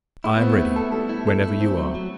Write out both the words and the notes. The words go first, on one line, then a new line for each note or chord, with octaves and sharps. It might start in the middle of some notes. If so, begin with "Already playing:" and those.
"I am ready, whenever you are."
A3 E4
B3
C4
A3
E4
A4
G3 A4
E4
A4
E4
C4
F#3
F#3